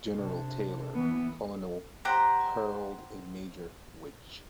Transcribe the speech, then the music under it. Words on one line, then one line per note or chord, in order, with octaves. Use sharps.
General Taylor, Colonel Harrold and Major Wich.
C3 D4
E3 B3
G4 C5 F#5 A#5